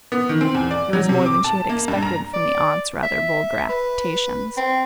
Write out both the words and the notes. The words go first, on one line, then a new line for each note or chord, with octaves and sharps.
It was more than she had expected from the aunt's rather vulgar affectations.
B3
D#3
C4
E2
D5
F#3
C3
D6
A5
A#3
G2
A#5
D5
E5
B4
C4